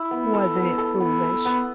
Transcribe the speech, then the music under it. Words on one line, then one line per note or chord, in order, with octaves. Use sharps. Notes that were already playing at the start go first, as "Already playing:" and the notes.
Wasn't it foolish?
Already playing: E4
B3
A4
B3
A4
B3
A4
B3